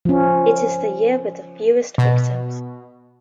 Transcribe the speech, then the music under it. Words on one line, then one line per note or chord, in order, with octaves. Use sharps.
It is the year with the fewest victims.
F3 C#4
B2